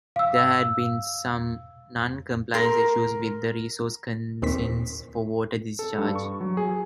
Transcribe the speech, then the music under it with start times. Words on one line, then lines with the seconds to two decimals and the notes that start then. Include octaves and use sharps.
There had been some non-compliance issues with the resource consents for water discharge.
0.16 F5 E6
2.54 A#4 C6
4.42 D#2 A#2 C4 B6
5.79 A4
5.98 G2
6.15 C#6
6.41 F#3
6.57 G#4